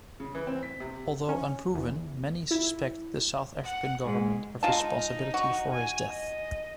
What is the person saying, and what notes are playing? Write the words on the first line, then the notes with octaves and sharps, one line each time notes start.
Although unproven, many suspect the South African government of responsibility for his death.
C#3
E3
C4
B6
C3
C#4
E2
E4
F#5
G#2
G#3 D#4 F4 A5
F#4
G#5
D#5